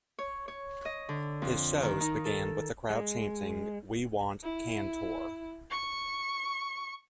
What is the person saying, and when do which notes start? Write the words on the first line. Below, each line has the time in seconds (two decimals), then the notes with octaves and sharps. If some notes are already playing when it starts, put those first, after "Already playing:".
His shows began with a crowd chanting We want Can-tor!
0.19 C#5
0.48 C#5
0.85 D#5
1.09 D3
1.42 F2
1.82 D#3
2.01 D#4
2.25 A4
2.90 G#3
4.44 E4
5.71 C#6